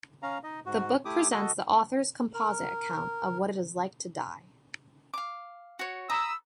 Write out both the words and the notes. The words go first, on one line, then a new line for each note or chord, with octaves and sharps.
The book presents the author's composite account of what it is like to die.
C#4 F5 A#5
D#4 D#5
G#2 F#4
A3 E4 G4 D6 D#6
F#4 A4 D#5
A#4
F5 D6
F#4 C#5
A#5 B5 D#6 E6